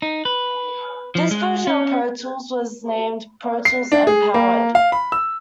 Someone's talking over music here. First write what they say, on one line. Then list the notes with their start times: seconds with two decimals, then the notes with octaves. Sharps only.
This version of Pro Tools was named Pro Tools M-Powered.
0.02 D#4
0.25 B4
1.15 F3
1.31 G#3
1.67 C#4
3.65 C7
3.92 D4
4.07 G#4
4.34 A#3
4.75 F5
4.92 B5
5.12 E6